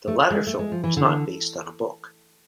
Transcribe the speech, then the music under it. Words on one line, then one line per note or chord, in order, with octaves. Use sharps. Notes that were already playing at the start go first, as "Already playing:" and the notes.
The latter film was not based on a book.
A3
G#3
A3
G#3
F3
E3
D3